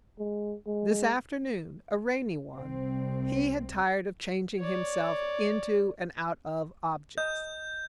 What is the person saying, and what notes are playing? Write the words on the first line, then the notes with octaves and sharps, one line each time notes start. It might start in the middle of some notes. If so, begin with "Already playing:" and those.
This afternoon, a rainy one, he had tired of changing himself into and out of objects.
G#3
G#3
C2 C4
C#5 D5
D#5 G6